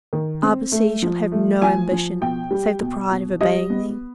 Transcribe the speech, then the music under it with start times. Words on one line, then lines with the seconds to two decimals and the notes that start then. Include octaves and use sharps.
Arbaces shall have no ambition, save the pride of obeying thee.
0.13 D#3
0.43 C4
0.72 A3
1.03 F3
1.32 A3
1.62 F3 G#5
1.92 F3
2.21 B2 G5
2.51 G3
2.81 B2
3.11 B2
3.41 G3 D#5
3.70 B3